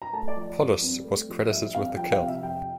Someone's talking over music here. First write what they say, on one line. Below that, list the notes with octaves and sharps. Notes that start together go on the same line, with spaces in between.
"Polluce" was credited with the kill.
A#5
A3 A5
D5
F3
G2
C4
A3
F3
G2 E5
C4 F5
F3 G5
F5
C3
E5
F2 G5